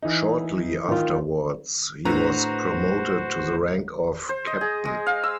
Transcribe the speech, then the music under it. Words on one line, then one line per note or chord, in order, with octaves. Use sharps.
Shortly afterwards he was promoted to the rank of captain.
E3 D#4
D#3 F4
A2 D4 F#4 B4 C5 A#5
C5
D#5
G#4
G#3
F5
E6